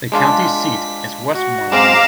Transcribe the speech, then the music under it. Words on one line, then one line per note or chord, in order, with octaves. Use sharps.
The county seat is Westmoreland.
G#3 D4 F4 B6
F#4
G#3 C4 F5 A#5 D6 E7